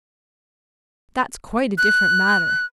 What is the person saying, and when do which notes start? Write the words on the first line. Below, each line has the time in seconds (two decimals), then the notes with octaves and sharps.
"That's quite a different matter."
1.78 F#6